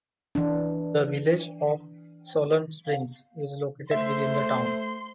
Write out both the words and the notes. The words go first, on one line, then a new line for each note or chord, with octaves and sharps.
The Village of Solon Springs is located within the town.
E3 D4
A3 C5 E5 C6